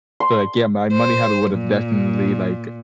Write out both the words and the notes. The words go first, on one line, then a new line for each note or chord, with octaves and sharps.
so, like, yeah, my money habit would have definitely, like
C6
C5
A#2